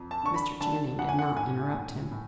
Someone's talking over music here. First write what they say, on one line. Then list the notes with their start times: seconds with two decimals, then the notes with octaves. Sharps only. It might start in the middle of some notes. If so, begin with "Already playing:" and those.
Mr. Channing did not interrupt him.
Already playing: F2
0.11 A5
0.23 D3 C#6
0.36 B5
0.61 D3 A5
0.99 F2 F#5
1.09 G#5
1.19 F#5
1.36 A2 G#5
1.74 A2
2.11 A2